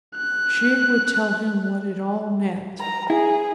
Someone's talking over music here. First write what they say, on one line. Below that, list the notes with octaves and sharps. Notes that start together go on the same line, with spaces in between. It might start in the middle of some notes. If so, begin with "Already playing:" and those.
She would tell him what it all meant.
F#6
A#5
E4 G#4